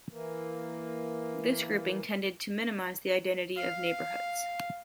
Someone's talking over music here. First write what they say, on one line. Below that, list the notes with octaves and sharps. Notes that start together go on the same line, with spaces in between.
This grouping tended to minimize the identity of neighborhoods.
E3 A#3
F5